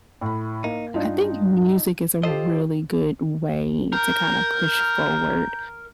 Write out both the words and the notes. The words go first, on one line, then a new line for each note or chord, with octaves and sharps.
I think music is a really good way to kinda push forward,
A2 B5
A#3 D#4
G2 D4 D#4 F4
F4 G4 A4 C5 D#5
A#4 G6